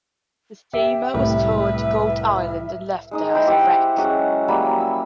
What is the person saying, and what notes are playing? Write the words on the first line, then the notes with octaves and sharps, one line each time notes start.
The steamer was towed to Goat Island and left there as a wreck.
G4 E5 G5
C2 A2 B4 E5
G#3 D#4 D#5
E4 C5 G5
G4 E5 F#5
F#3 G#3 C#4 F#4
F#3 G3 A#3 B5
E6